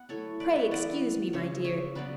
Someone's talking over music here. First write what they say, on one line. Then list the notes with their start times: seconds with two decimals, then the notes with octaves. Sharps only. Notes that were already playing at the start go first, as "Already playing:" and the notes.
Pray excuse me, my dear.
Already playing: B3 F#5
0.09 F#3 A3 E4 A4 C#5
0.40 B4 D5
0.56 C#5 E5
0.71 E3 B3 E4 D5 F#5
1.33 C#3 G#3 C#4 C#5 E5
1.64 C#5 E5
1.95 C#3 F#3 B3 B4 D5